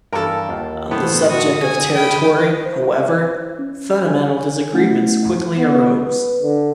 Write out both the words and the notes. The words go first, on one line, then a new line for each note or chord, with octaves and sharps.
On the subject of territory, however, fundamental disagreements quickly arose.
G2 E3 A4 A#4
D#2 F4 F#5
A2 E3 B3 A4 C5
D3 F#4 D#6
G#4 G#5
G5 B5
C5
C#4
C#5 G#5
A3 C#4 E4 F#5
B3
B4
D3